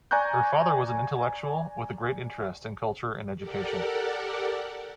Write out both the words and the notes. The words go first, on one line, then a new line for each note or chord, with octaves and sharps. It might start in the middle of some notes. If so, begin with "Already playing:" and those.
Her father was an intellectual, with a great interest in culture and education.
D5 G#5 A#5 C#6 F#6 G6
G4 A4 A#4 D5 F#5